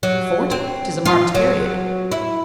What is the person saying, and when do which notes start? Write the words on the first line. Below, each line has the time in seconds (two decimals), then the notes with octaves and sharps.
Forty; 'tis a marked period.
0.03 F#3
0.51 C4
1.05 F4
1.35 F#3
2.12 E4